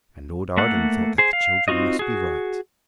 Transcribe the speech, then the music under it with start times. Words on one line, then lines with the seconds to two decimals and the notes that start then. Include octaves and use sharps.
And Lord Arden thought that the children must be right.
0.57 A3 A#3 A4 F#5
1.18 G#4 C5
1.33 F5
1.68 C4 D#4 F4 F#4 D#5
1.99 F#4 G#4